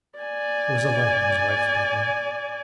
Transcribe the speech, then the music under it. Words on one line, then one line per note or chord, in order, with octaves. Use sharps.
There was a light in his wife's bedroom.
D5 G#5